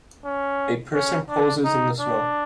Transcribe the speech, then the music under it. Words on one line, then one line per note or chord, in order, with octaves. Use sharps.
A person poses in the snow.
C#4
C#4
D4
D#4
D4